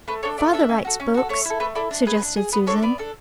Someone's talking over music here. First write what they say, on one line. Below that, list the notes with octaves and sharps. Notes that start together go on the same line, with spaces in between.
"Father writes books," suggested Susan.
A3 B4
D4 A4 C#5
A3 D5
D4 A4 E5
C#4
F#4 A4
C#4
F#4 A4
A3 C#5
E4 A4
A3 B4
E4 A4 D5
D4
G#4 B4
D4
G#4
B3 B4
D4 A4 C#5
B3 D5
D4 A4